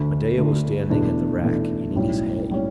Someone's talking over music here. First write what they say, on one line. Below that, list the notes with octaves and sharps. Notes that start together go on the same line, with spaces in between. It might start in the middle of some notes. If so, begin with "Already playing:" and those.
Medeah was standing at the rack, eating his hay.
Already playing: D2 D3 A3
D2 D3 A3
E2 B2 A3 D4
E2 B2 A3 D4
B1 A2 G3 C#4
A2 G3 C#4